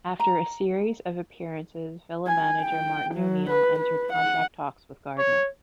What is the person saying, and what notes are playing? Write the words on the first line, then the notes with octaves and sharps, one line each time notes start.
After a series of appearances Villa Manager Martin O'Neill entered contract talks with Gardner.
A#5
G#5
G5
F#3
B4
B4
F#5
C#5